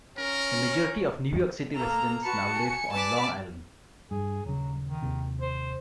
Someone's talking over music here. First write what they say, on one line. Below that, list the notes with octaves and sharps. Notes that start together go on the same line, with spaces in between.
The majority of New York City residents now live on Long Island.
C#4 A#4
A#3 A4 A#5
F#4 B4 A5 C#7
G#5
B4 D5 A5
G2 G#4
D#1 C#3 F#3
D#3
D#2 C3
C5